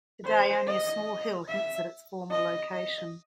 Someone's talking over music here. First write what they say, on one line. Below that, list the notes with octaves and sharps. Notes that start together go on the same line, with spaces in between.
Today, only a small hill hints at its former location.
C5
D#5
E5
D#5
D#5